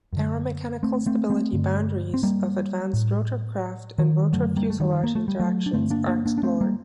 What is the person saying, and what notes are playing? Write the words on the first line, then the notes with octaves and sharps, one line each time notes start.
Aeromechanical stability boundaries of advanced rotorcraft and rotor-fuselage interactions are explored.
F#2 D3
A3 C4
A3 C4
A3 C4
G2 D3
C4
G3 A#3
A2
D#3
F#2 D3 F#3 A3
G3 A#3
A3
D#3 G3
A#3
A3
G3
F#3 A3
D4
G2 D3 A3 C4
A#3 D4
A#3 D4
A#3 D4
D4
A3 C4
G3 A#3